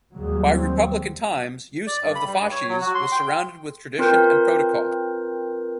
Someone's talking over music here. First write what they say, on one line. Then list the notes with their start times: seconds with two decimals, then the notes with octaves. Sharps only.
By republican times, use of the fasces was surrounded with tradition and protocol.
0.17 D#2 F#3 G3 G#4
0.51 C4
1.87 D5
2.02 G2
2.15 B5
2.27 G3
2.39 G2
2.51 C#5
2.69 F#3
2.81 F#4
2.95 C6
3.12 G5
3.99 C4 F4 A#4 B4 G6